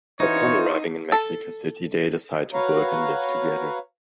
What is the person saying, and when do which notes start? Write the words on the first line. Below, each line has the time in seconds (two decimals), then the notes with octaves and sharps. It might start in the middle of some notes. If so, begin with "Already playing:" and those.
Upon arriving in Mexico City they decide to work and live together.
0.20 E3 D#4 F4 F#4 C5 C#5
1.12 A4
2.53 F#4 B4 C#5 F5 A#5